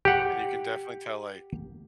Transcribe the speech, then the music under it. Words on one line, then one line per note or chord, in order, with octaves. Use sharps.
And you can definitely tell, like
G4 F#5